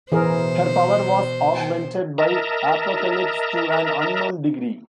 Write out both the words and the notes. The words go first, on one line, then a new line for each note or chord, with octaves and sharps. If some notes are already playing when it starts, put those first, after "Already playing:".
Her power was augmented by Apocalypse to an unknown degree.
B2 E3 G#4 A#4 C5
A#4 D#5 E5 A5 A#5